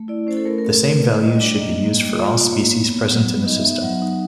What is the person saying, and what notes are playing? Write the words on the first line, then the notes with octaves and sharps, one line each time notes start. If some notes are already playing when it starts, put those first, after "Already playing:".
The same values should be used for all species present in the system.
Already playing: A3
E4 D5
C#4 C5
A4
A3 A#4
A#4
A3
A4
A3 A#4
B4
A3
D5
G3 D#5
D4 D5
A#3 D#5
A#3
G3
F4
A#3
A#3 C#5
B3
B3
F#3
B3
D#4 D#5
E5
B3
E5
F#3 F#5
F#5
D#4
F#5